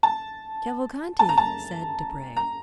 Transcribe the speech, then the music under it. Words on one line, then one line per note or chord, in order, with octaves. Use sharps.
"Cavalcanti!" said Debray.
A5
A5
A#5
A5
A#5